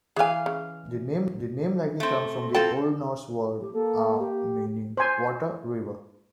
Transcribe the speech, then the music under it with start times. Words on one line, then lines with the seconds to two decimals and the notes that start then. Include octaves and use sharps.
The name likely comes from the Old Norse word "aa", meaning 'water, river'.
0.16 E3 G#4 F5 G#5
0.46 C#3
2.00 A3 C4
2.54 C4 F4 A4 G5
3.61 G4
3.74 A#3 A4
4.20 G4
4.97 C5 G#5